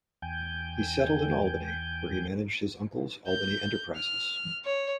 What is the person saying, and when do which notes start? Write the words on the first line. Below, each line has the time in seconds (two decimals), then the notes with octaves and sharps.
He settled in Albany, where he managed his uncle's Albany enterprises.
0.22 E2 G5 G#5 G6
3.28 G6
3.96 F6
4.65 C#5